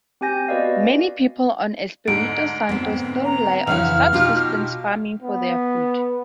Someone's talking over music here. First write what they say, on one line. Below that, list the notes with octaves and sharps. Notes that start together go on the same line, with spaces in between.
Many people on Espiritu Santo still rely on subsistence farming for their food.
C4 G4 G5 G#5 G6 A#6
B3 F#4 B4 D5 D#5 F5
D2 G#2 D3 D#4 D7
B3 C4
A#5
F2 C#3 E3 E4 F#5 F6 F7
B2 D#4 F4 G4
B3